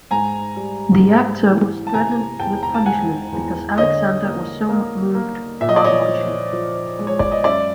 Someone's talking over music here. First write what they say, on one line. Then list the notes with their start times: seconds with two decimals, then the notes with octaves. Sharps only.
The actor was threatened with punishment because Alexander was so moved while watching.
0.11 G#2 G#5 A#5
0.56 G3
1.03 G#2
1.49 E3
1.87 A5
1.94 C3 G#5 A#5
2.39 E2 G5 A5
2.63 A#5
2.74 A5
2.86 G#3 F#5 G#5
3.32 E2
3.77 D3 C#5 D#5
4.24 A#3
4.69 A#3
5.15 A#3
5.61 A#2 E5
5.69 D#5
5.76 D5
5.84 C#5 D#5
6.08 F3
6.53 F3
6.99 G#3
7.07 C#5
7.19 D5
7.32 D#5
7.44 F#2 D5 E5